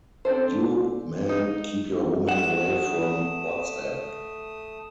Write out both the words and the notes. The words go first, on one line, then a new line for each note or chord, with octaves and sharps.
You, men, keep your women away from WhatsApp.
C4 D4 A4 C5
D#4
A3 F#5 D#6 E7